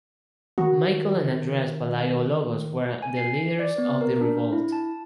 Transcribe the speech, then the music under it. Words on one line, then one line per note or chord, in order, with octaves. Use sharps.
Michael and Andreas Palaiologos were the leaders of the revolt.
D#3 F#4
G#5
C7
D5
B3
A#4
D4
E4
A5